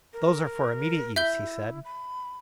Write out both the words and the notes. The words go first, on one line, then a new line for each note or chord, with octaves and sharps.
"Those are for immediate use," he said.
A#4
E4 E5 G6 G7
B5